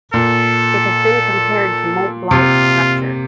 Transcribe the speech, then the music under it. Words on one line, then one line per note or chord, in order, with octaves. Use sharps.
It has been compared to Mont Blanc's structure.
A#2 A4
C3 F4